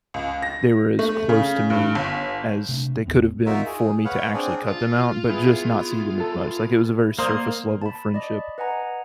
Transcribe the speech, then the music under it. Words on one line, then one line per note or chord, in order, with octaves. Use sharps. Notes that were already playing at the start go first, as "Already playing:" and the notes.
they were as close to me as they could have been for me to actually cut them out, but just not see them as much, like, it was a very surface-level friendship
C#2
A#6
A3
C#3
G2
G1
C3 A3 D4
A1 E2 B3
D#4 F4 F#4 A#4 E5
G#4
B4 C#5 F5 F#5
C4 D4 G#4
F4
B3 E4 G#4
A4
A#3 C5 D5 C6 D#6 F6
A5 B5
D5 D#5 B5
B4 D#5 F#5 G#5 A#5